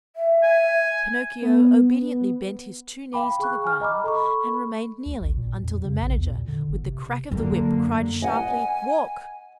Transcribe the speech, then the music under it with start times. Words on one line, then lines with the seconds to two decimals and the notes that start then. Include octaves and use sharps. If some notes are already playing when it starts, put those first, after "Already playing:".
Pinocchio obediently bent his two knees to the ground and remained kneeling until the Manager, with the crack of the whip, cried sharply: "Walk!"
0.16 E5
0.43 G#5
1.42 B3
3.13 F5 G5 B5 D6
3.40 G#4 G5 C#6 F#6
3.64 G#5 F6
3.81 D#5 A#5 B5 D6
4.04 A4 B5 C#6
5.06 D2
5.21 A1
5.37 A#2
5.63 F2
5.84 C#3
6.01 A#1
6.16 E2
6.29 A#2
6.48 D3
6.69 G1
6.83 C3
7.31 F#2 D3 A#3
8.22 D#5 F#5 G#5